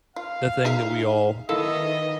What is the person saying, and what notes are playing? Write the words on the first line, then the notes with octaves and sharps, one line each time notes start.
the thing that we all
F4 F5
D#4 G#4 E5
D#3 B3 E4 F4 A4 D#5 E5